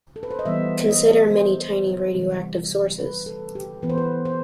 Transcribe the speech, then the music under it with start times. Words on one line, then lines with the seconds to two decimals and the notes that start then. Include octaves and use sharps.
Consider many tiny radioactive sources.
0.16 A4
0.23 B4
0.31 C5
0.39 D#5
0.45 E3 G3 B3 E5
0.88 D#5
1.30 C5
2.14 C3 E3 G3 C4
2.99 B4
3.26 A4
3.55 G4
3.83 E3 B3 B4
3.90 C5
3.98 B4
4.25 C5